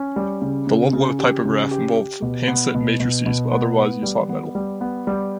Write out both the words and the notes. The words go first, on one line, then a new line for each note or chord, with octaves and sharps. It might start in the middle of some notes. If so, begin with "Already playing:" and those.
The Ludlow Typograph involved hand-set matrices, but otherwise used hot metal.
Already playing: C#4
G3
C#3
C#3
C#3
G4
C#3
G4
G4
B2
B3
B2
B2
B2
B3
B3
G3
B3
G3
B3
G3